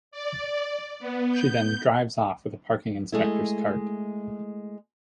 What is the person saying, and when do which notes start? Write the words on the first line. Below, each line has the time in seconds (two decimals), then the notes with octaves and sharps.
She then drives off with a parking inspector's cart.
0.11 D5
0.99 B3
1.31 G6
3.12 G#3 A3 E4